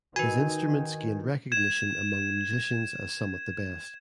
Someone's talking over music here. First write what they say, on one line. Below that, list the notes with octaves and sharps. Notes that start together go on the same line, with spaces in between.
His instruments gained recognition among musicians as some of the best.
D#3 F#4 B4 G#5
G#6 E7